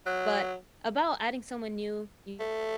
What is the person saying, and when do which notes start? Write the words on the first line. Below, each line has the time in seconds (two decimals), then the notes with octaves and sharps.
but about adding someone new, you
0.06 F#3
2.40 A3